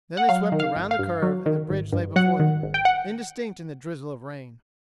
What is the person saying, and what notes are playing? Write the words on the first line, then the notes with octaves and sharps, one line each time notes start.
Then they swept around the curve and the bridge lay before them, indistinct in the drizzle of rain.
F#5
F#3 F5
D#3
F5
G#1
F5
G2
F#3
D#3
G#1
G2
F#3 F#5
D#3
G#1
G5
F#5